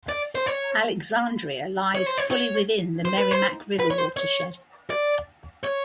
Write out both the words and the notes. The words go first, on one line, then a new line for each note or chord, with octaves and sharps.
Alexandria lies fully within the Merrimack River watershed.
D5
C5
C#5
C#5
C5
C#5
C#5
C5
B4
C5
B4
C#5
C5
C#5
D5
C#5